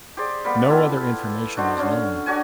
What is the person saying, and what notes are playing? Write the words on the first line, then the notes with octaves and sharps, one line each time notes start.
No other information is known.
G4 G#4 C5 D5
G3 A#3 B3 B5
B3 E4 F4 A4
D4 F#4 C5 D#5
D3 C#4 C6
D4 F#4 C#5 G#5